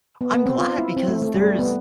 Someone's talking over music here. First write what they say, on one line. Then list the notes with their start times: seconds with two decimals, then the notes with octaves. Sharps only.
I'm glad because there's
0.21 B3
0.34 B3
0.46 C4
0.58 F4
0.78 E4
0.97 C4
1.08 A3
1.22 A3
1.34 G3
1.46 A3
1.59 B3